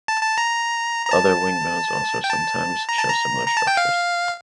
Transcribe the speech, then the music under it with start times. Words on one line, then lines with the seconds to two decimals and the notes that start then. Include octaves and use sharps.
Other wing bones also sometimes show similar structures.
0.08 A5
0.23 A5
0.38 A#5
1.06 A#5
1.11 A5
2.24 G5
2.29 A5
2.89 A#5
2.99 A5
3.09 A#5
3.47 A#5
3.57 A5
3.67 G5
3.77 F5